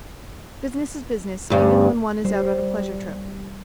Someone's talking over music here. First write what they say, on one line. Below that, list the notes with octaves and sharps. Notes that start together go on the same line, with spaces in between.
Business is business, even when one is out on a pleasure trip.
D2 G2 C#4 G4
G3 C4